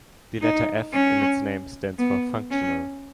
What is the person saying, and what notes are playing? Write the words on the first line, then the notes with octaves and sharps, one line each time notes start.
The letter 'F' in its name stands for "functional".
D#4
C#4
B3
C#4